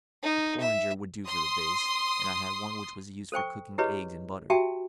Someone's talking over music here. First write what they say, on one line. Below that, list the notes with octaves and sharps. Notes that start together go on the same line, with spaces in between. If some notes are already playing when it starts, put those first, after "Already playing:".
A porringer would do for the vase, and I had one which was used for cooking eggs in butter.
D#4
E5
C6 D#6
A4 C5 G5 C#6
E4 G4 G#4 B4 C#5 D#5
F#4 G4 E5 G5 A5